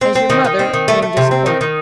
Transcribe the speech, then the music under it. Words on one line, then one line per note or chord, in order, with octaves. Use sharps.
As your mother, I am disappointed.
C4
C4
D#3
D#3
C4
D#3
A3
A3
C3
C4
D#3
D#3